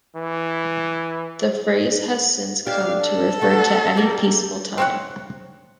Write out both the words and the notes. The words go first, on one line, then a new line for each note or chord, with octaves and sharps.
The phrase has since come to refer to any peaceful time.
E3
D4 G4 F5
A4
F#3 A3 D4
G3 A#3 A#4
C4 C#5 F#5